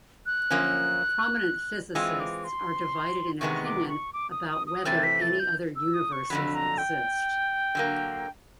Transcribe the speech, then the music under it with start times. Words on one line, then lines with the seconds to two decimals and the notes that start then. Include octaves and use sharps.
Prominent physicists are divided in opinion about whether any other universes exist.
0.26 F#6
0.51 F#2 D3 F3 A#3 C#4
1.95 E3 G#3 C4 F4 E6
2.20 D6
2.44 C6
3.40 E2 C3 D#3 G#3 B3 C#6
3.65 D6
3.89 C#6
4.13 D6
4.31 D#6
4.49 D#6
4.67 D#6
4.85 C3 E3 A3 C4 A6
5.03 B6
5.22 A6
5.40 G6
5.76 E6
5.94 D#6
6.12 C#6
6.30 F2 D3 F#3 B5
6.55 A#5
6.78 G5
7.75 D3 F#3 A#3